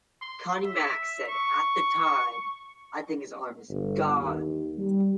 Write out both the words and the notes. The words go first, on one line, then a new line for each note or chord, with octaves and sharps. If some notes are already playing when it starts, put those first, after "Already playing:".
Connnie Mack said at the time, I think his arm is gone.
C6
E5
C#6
G1
D#2
G3